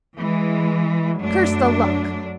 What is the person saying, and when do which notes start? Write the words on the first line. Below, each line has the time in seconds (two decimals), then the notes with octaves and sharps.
Curse the luck!
0.19 E3 G#3
1.21 F#2 F#3 A3 D4